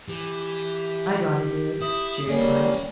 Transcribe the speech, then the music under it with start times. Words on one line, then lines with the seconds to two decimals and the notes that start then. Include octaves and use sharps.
"I'd rather do it," she replied.
0.08 E3 G4
1.81 E4 D#6
2.27 G3 G#3 A#3 C#4 C#5 D5